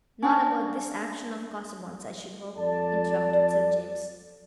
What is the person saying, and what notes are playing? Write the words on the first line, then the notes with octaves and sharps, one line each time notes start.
"Not about this action of Casaubon's, I should hope," interrupted Sir James.
C#4 D4
F2 A4 D5 A5